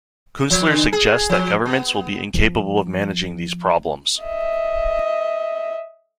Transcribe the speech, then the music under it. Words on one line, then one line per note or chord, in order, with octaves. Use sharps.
Kunstler suggests that governments will be incapable of managing these problems.
F3
D3
G#4
F3
B3
F3 B3
D#5 E5